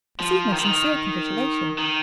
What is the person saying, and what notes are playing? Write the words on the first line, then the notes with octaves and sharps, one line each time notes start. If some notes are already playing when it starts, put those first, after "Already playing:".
"Receive my sincere congratulation."
F3
D#3
F3
D#3
D#3